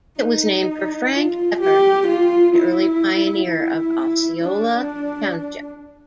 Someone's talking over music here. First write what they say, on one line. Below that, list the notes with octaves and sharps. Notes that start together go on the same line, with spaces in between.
It was named for Frank Evart, an early pioneer of Osceola Township.
D#4
F4
G4
F4
E4
E4
D4